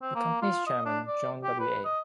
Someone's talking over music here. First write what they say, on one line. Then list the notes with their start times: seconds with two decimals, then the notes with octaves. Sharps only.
The company's chairman, John W. A.
0.02 C4
0.15 A#3
0.42 F4
0.66 D#5
0.86 D4
1.07 D5
1.44 G4
1.60 B4
1.85 D#5